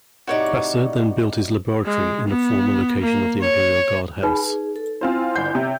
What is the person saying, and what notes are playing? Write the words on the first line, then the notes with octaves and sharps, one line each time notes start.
Pasteur then built his laboratory in the former location of the imperial guard house.
A2 C3 D#4 F#4 C#5 D5
G#3
B3
A#3
C#5
D#4 G#4 B4 G#5 B5
G#4
A4
C4 E4 F4 C5 G#5 C6
G1 F#5 G6
C3 C#5 E5